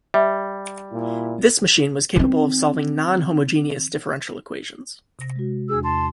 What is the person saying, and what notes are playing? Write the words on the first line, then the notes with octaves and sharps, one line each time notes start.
This machine was capable of solving non-homogeneous differential equations.
G3 E5
A#2 E4
D#3 C4
C3 A#6
G#3 F#4
E2 D4 G#4 E6
A5 C6